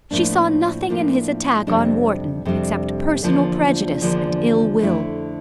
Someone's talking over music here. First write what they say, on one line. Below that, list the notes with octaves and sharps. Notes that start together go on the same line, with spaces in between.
She saw nothing in his attack on Wharton, except personal prejudice and ill-will.
A2 F3 A#3 D4
A2 F3 A#3 D4
F2 C3 G3 D4
F2 C3 G3 D4
E2 D3 F3 A#3 D4
E2 D3 F3 A#3 D4
F2 D3 A3 E4